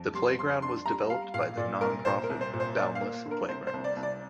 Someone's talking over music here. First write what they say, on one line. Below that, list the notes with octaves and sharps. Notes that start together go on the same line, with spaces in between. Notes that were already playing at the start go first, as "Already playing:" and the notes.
The playground was developed by the nonprofit Boundless Playgrounds.
Already playing: F2
G3 C6
F2 C6
D4 C6
G3 A#5
G3 F5
A#2 F5
A#2 D5
C2 A#4
A#2 C5
A#4
C2
C5
A#2
C5
A#3 D5
F5
A#3
D3
A#4
C2 C5
C5
C2
D5
C2
D5